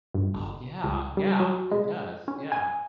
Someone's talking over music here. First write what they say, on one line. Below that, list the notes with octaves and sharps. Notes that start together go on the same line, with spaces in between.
Oh, yeah, yeah, it does, yeah.
G2
G1
C#2
G3
F#3
G#3
C#4
G#5